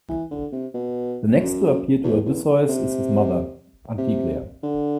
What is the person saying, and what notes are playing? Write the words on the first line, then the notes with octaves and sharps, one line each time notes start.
The next to appear to Odysseus is his mother, Anticlea.
E3
D3
C3
B2
F#2
E2
E2
C3
C3
D3